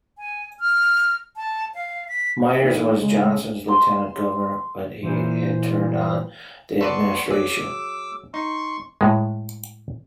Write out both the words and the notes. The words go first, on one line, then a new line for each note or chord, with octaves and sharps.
Myers was Johnson's lieutenant governor, but he had turned on the administration.
G#5
F6
A5
F5
B6
D3 E3 F3 A3 A#3 D#4
C#3 G#3
C6
A#2 E3 C5
B3 A4 B4 D5 C6 C#6
F#3 G#4 D6 E6
D#4 C6 C#6
A2 G#3